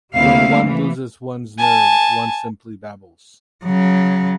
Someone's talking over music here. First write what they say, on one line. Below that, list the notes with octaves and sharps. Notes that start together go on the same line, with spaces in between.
When one loses one's nerve, one simply babbles.
D2 G3 A#3 C4 E4 F5
E3
G#5 A5
C#3 F#3